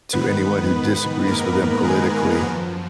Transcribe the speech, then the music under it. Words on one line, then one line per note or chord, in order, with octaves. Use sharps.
to anyone who disagrees with them politically,
G#2 D#3 B3 B4
A#3 A#4
G#3 G#4
F#2 F3 F#4